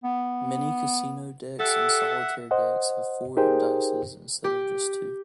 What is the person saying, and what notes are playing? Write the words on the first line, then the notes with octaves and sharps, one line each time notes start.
Many casino decks and solitaire decks have four indices instead of just two.
B3
G4 A4 E5 F#5
C5 D#5 F#5
D#4 G4 G#4 A#4 C5 G5
G4